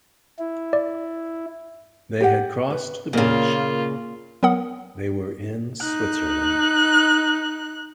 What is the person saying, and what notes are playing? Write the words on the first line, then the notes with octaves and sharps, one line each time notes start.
They had crossed the bridge; they were in Switzerland.
E4
D5
G4 F#5
B4
A#2 C#3 A#3 F4 A#4 D5
F#3 B3 A#4 F#5 D#6
D#4 F#6